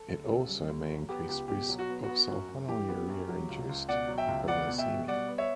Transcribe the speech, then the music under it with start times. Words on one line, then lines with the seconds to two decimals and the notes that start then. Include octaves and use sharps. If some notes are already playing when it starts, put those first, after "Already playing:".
It also may increase risk of sulfonylurea-induced hypoglycemia.
Already playing: A4
0.09 D2
0.29 C#3
0.49 G3
0.69 D2
0.89 F#3
1.09 B3 G4
1.28 C#2 G4
1.48 B2 G4
1.69 F#3
1.79 F#4
1.89 B3
2.04 F#4
2.09 B3
2.28 F#2
2.49 F#2
2.68 E3 G4
2.89 B3
3.08 F#2
3.29 F#3
3.48 C#2
3.69 C#2
3.89 B2 D5 F#5
4.08 F#3
4.18 E5 G5
4.28 C#2
4.48 B3 D5 F#5
4.68 B2
4.78 E5 G5
4.88 B2
5.08 G3 D5 F#5
5.28 B3
5.38 C#5 E5